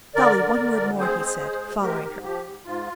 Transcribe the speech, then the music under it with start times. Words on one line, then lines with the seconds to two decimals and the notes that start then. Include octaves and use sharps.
"Dolly, one word more," he said, following her.
0.15 D3 A#4 D5
0.37 D3
0.57 D3
0.78 D2
0.99 C4 G#4 C5
1.20 G#3
1.40 G#3
1.61 D2
1.81 G#3 G4 A#4
2.02 G#2
2.23 F3 G4
2.44 G#2
2.65 G#2 F4